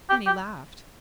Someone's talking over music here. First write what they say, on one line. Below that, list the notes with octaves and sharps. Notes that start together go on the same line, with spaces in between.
Then he laughed.
G4
G4